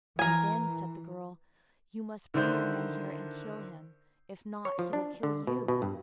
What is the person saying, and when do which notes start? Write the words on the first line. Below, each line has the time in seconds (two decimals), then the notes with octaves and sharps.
"And then," said the girl, "you must bring your men here and kill him. If not, he will kill you."
0.19 E3 A#4 G#5
2.34 D3 D#3 D4 E4 C5 G6
4.65 C#5
4.79 F3
4.93 D4
5.23 D3
5.47 B2
5.68 B2
5.82 G2